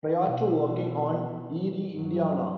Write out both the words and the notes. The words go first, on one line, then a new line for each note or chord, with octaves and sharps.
Prior to working on "Eerie, Indiana".
B2 E3
G2 F#3